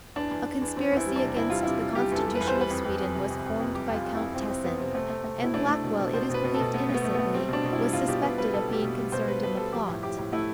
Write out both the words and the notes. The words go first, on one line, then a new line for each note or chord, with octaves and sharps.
A conspiracy against the constitution of Sweden was formed by Count Tessin; and Blackwell, it is believed innocently, was suspected of being concerned in the plot.
E2 D4
E2
E2
E2
E2 C4
E2 E4
G3
D4
C3
E2 E4
G3 F4
C3 E4
G3
G3 G4
E2 A4
G3
B4
E2
C5
G3
B4
F2
F2
F2
C3
F2
F2
F2
G3 G4
F2 F4
F2
F2 E4
F2 C4
F2 C4
F2 B3
C3 C4
A3 C4
A3
A3
B2 E4
A3 D4
A3
B2
B2
B2 C5
B2 B4
B2
A4
B2
A3 B3
A3
B3
A3
A3 B3
G3 C4
B2 D4
B2
G3 E4
B2 F4
B2 G4
B2 B4
G3 B4
B2 A4
B2 G4
B2
G3
B2 C5
G3 B4
B2 B4
G3 A4
F3 G4
A2
A2 G4
A2
A3 E4